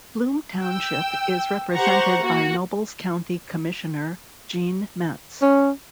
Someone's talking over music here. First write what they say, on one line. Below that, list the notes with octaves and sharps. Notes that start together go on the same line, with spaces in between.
Bloom Township is represented by Nobles County Commissioner Gene Metz.
G5 E6
G4 C5 F#5 A#5 C#6
A#3 F#4
C#4